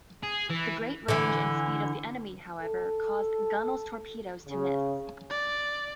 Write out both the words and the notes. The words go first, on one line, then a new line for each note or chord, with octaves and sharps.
The great range and speed of the enemy, however, caused "Gunnel"'s torpedoes to miss.
G#4
E3
D3 E3
A4
C#3
D5